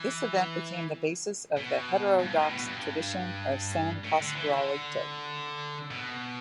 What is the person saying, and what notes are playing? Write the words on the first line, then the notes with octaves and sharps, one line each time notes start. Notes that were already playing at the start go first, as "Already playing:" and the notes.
This event became the basis of the heterodox tradition of San Pascualito.
Already playing: E3
B2
G2
A2
B2
G2
A2
D3
E3
D3
B2